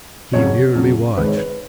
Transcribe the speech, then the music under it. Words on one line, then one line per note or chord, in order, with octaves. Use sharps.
He merely watched.
F2 C#3 F#3 C#5
F2 C#3 F#3
G#1 G#2 D#3 G#3 B4
C#5
B4